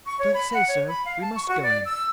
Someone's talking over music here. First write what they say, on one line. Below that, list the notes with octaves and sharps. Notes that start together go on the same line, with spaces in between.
'Don't say so; we must go in.
C#6
C#5
B5
F#5
C#5
B5
F5
A5
C#6
F#4
D5
E6